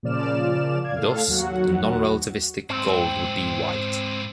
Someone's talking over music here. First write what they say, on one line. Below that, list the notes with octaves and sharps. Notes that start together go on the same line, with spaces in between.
Thus, the non-relativistic gold would be white.
A#2 C#3 F3 D5 F6 E7
D5 F5 G#6
A2 A4 F5 F6
D#2 F#3 F#4 F#5
G#2 C4 E4